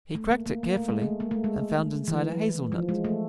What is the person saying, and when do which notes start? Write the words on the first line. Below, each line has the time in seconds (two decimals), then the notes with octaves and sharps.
He cracked it carefully, and found inside a hazel-nut.
0.15 A3
0.31 A#3
0.46 A#3
0.63 A#3
0.76 A3
0.89 G#3
1.02 A3
1.20 A#3
1.31 A3
1.44 G#3
2.08 E3
2.72 F3
2.89 G#3
3.05 A3